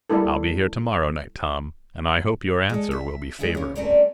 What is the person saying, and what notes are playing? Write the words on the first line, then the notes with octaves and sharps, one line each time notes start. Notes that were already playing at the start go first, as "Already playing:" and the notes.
"I'll be here to-morrow night, Tom, and I hope your answer will be favorable."
G3 A#3 E4 A4
G#3 A4
E5
D2 A2 E3 G#3 E4 E5
C#3 C#4
G3 A3 C4 C#4 A#4 D5